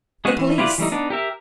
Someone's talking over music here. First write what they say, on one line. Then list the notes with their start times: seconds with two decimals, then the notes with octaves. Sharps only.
"The police."
0.25 G#3 C#4 F#4 G#4
0.39 E3
0.58 E4 F4 G4 B4 D5
0.78 E3 G3 A3 D#4
0.92 B3 D4 D#4
1.10 G4 A#4 E5